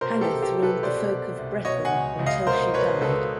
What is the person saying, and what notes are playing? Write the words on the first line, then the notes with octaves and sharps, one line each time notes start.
Haleth ruled the Folk of Brethil until she died.
B2 A#4 C5
G4 A4
C2
G4 A4
C2
A4 B4
B2 C5 D5
B2
C2
B2 C#5 D#5
F#5 G#5
C#2
C#2
D#5 F5
B2 A#4 C5
B2 B4 C#5
C#2 A4 B4